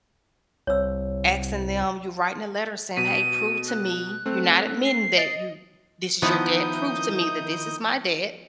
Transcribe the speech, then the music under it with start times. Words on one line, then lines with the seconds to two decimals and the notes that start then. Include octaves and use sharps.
asking them you writing a letter saying, "Hey, prove to me you're not admitting that you this is your debt. Prove to me that this is my debt."
0.67 C2 C#5 E6
2.97 B2 B6 D#7
3.68 F#6
4.26 A3 C4
4.84 C7
5.17 D#5 A6
6.22 D#3 F3 B3 D#4 E4 D#5 D#6 G6